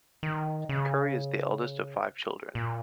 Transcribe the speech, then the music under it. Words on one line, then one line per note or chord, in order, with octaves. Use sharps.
Curry is the eldest of five children.
D#3
C#3
A#2